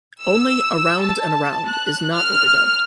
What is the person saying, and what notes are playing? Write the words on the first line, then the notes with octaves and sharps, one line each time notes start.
Only "Around and Around" is not overdubbed.
E6
A5
F#6
F6